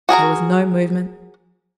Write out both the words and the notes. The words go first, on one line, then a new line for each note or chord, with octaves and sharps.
There was no movement.
F#4 G#4 A#4 A#5